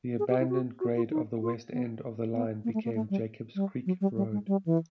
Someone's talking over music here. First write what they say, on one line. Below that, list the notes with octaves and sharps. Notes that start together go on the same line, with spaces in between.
The abandoned grade of the west end of the line became Jacobs Creek Road.
G#4
G4
E4
F#4
F#4
F4
D#4
F4
B3
B3
A#3
A3
A#3
A3
G3
G3
F#3
G3
G3
G#3
G3
E3